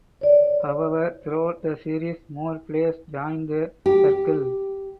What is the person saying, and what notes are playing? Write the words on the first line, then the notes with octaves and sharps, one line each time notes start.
However throughout the series more players joined "The Circle".
C#5 D5
G4